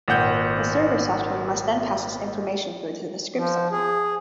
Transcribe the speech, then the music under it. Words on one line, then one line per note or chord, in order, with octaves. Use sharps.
The server software must then pass this information through to the script somehow.
G#1 A#2 F#5 G6
F3
G#4